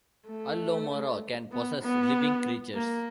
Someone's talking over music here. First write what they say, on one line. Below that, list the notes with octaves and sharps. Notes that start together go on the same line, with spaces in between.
All loumara can possess living creatures.
A3
B3
B3
A#3